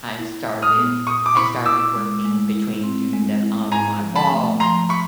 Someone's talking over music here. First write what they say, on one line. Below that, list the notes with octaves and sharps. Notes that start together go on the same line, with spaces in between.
I've started I started working between doing them on my wall
E4
A#2
D#6 F6
B3
A#2 C#6 D#6
D6
E4 B5 C#6
E4 D6 E6
G#3
G#3
E4
C4
G#3
E4
G#2 G#5 A#5
F3
A5 B5
A3
F3 A#5 C6
B5 C#6